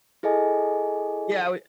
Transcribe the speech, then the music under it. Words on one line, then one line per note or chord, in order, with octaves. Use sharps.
Yeah, we
E4 G#4 A4 D#5 G#5